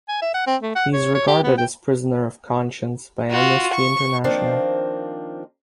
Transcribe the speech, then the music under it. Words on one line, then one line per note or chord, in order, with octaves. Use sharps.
He is regarded as prisoner of conscience by Amnesty International.
G#5
E5
F#5
C4
A3
F#5
C#5
C#5
G4
B3
G5
F4 F#4
C#6
D#3 F3 A#3 C4 D4